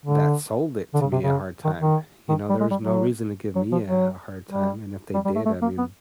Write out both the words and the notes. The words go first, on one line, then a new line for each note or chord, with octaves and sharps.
that sold it to me a hard time. You know, there was no reason to give me a a hard time, and if they did, I mean
D3
D3
C#3
C3
C#3
D#3
D#3
D#3
G3
G#3
G3
F#3
F#3
F3
F#3
G3
G3
G3
A3
A3
A#3
B3